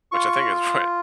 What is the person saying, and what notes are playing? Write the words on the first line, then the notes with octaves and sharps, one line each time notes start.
Which I think is what
F4 C#6